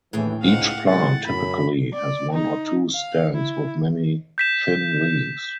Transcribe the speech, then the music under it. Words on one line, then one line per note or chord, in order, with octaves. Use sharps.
Each plant typically has one or two stems with many thin leaves.
D#2 A2 D3 E3 G#4 G5
C#2 G#2 F5 F#5
C3 F#3 G#3 F#5 A6
F#2 B5
D5
D#4
F5
E4
G6 B6 E7